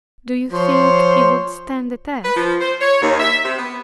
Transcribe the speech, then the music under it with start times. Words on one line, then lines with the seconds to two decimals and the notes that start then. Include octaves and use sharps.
"Do you think he would stand the test?"
0.52 F3 C5 C#5
2.24 B4
2.36 F3
2.61 C5
2.81 C#5
3.02 D#2
3.20 E5
3.44 C3
3.58 B3